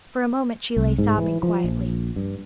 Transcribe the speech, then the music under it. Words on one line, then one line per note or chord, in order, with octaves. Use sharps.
For a moment she lay sobbing quietly.
C2
G#2
E3
F3
A#1
G2